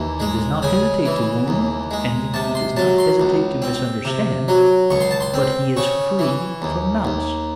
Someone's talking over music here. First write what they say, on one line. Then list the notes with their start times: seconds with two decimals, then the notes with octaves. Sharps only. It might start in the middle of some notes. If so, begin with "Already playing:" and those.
He does not hesitate to wound and he does not hesitate to misunderstand, but he is free from malice.
Already playing: D#2 E3
0.20 G#3
0.62 C#3 G#5
1.05 E3
1.48 D#2
1.91 G#3
2.34 C3 A5
2.55 C6
2.77 F#3 A5
2.98 C6
3.20 C#2
3.62 C4
4.05 C3
4.48 F#3
4.90 C#2 C#6
5.01 C6
5.11 A5
5.20 C6
5.34 C4
5.77 C#3 C#6
6.19 E3
6.62 D#2
7.05 D#2